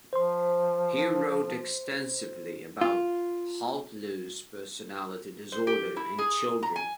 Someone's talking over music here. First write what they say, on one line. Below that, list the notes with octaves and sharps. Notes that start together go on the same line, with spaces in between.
He wrote extensively about Haltlose personality disorder in children.
F3 C5 C6
F4
C5
G4
E4
G#4
A#5
G#5